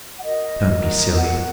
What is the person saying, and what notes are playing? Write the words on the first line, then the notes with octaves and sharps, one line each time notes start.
Don't be silly.
F#5
F#4 A#4 D#5
F#4 A#4
F#4 A#4 F#5